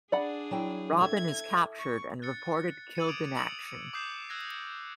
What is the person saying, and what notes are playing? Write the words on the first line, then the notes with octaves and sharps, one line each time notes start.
Robin is captured and reported killed in action.
D4 G#4 D5 F#5 B5
F#3 E4 G5
A4 E5 G#6
C#6
F#6 A6 C#7
C#7 D#7 F#7
D6 D#6 G#6 D7 F7
E6 C#7 F#7
D6 D#6 G6 C7
E6 F#6 G#6 A#6